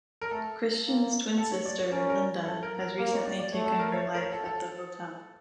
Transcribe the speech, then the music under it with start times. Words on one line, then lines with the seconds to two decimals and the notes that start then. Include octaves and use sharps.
Christian's twin sister, Linda, has recently taken her life at the hotel.
0.21 A#4
0.31 A3 A4
0.85 A#3
1.38 A4
1.51 C#5
1.65 D5
1.78 C#5
1.92 C#4 A#4
2.10 A#4
2.45 A4
2.63 A#4
2.81 A#4
2.99 A#3 A#4
3.12 C#5
3.25 D5
3.39 D5
3.52 A3 C#5
3.66 A4
3.79 A#4
3.92 C#5
4.14 A#4
4.20 C#5
4.32 A4
4.46 A4